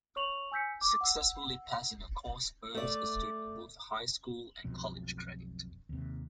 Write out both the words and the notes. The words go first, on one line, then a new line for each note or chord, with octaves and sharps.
Successfully passing a course earns a student both high school and college credit.
C#5 C#6 F7 F#7
G#5 E6 G6 B6 C#7
D6
F#5 E6
A3 D5
B1 F2 B2
D#2 C3